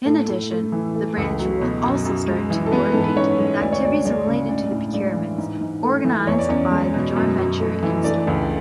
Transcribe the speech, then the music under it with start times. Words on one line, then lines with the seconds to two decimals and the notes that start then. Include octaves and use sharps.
In addition, the branch will also start to coordinate the activities related to the procurements organized by the join venture in Estonia.
0.05 A2 A3 A4
0.28 A2
0.50 A3
0.72 E3
0.94 A3
1.17 C#2
1.39 F#3
1.61 B2
1.83 F#2
2.05 F#2
2.28 G#3
2.50 E3
2.66 A4
2.72 G#3 B3 B4
2.92 G#2 A4
3.04 B4
3.16 G#2 C#4 C#5
3.39 G#3
3.61 D2 D5
3.73 C#5
3.83 D2 D4 D5
4.05 G#3 D4 D5
4.27 C#3
4.49 A2 D4 D5
4.72 A2
4.93 G#3 D4 D5
5.16 E3
5.38 G#2
5.61 G#2
5.83 A3
6.05 E3
6.27 E2 C#5
6.39 D5
6.49 E2 C#4 C#5
6.71 G#3
6.94 B2
7.16 F#2
7.38 F#2
7.60 A3
7.83 E3
8.04 A3 D4 D5
8.27 C#2